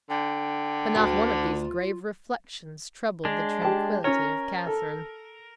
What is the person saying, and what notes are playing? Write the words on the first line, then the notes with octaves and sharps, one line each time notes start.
But not one of these grave reflections troubled the tranquillity of Catherine.
D3 G5
D2
F4
G#3 D4
G4 A5
C#4 A#4 C#5
A4